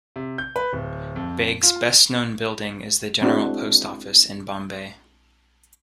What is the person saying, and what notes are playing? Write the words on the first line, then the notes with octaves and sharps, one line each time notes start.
Begg's best-known building is the General Post Office in Bombay.
C3
G6
B4
D1
F2
F4
G#3 C4 D4 E4 F#4